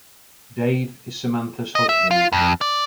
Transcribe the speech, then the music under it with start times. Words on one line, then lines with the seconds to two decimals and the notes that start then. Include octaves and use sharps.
Dave is Samantha's husband.
1.75 D#5
1.89 E5
2.11 F4
2.32 F2
2.61 D5